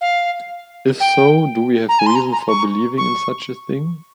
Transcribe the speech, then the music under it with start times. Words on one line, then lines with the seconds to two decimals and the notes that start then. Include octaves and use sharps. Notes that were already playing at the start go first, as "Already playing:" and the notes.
If so, do we have reason for believing in such a thing?
0.01 F5
1.00 G5
1.89 A#5
1.99 G#5
2.06 C6
2.15 A#5
2.32 A#5
2.48 C#6
2.98 C#6